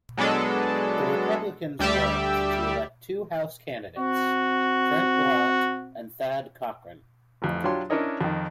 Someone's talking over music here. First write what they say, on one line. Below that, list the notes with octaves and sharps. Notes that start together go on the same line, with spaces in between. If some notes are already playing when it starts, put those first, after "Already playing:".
The Republicans worked to elect two House candidates, Trent Lott and Thad Cochran.
F#3 G#3 B3 D4 A4
D2 G3 G4 D5 E5
C4 F#4
A1 F2
F#3 D4 F4 G4 C#5 C6
C#4 D4 E4 A#4 C#5 D#5
F2 D#3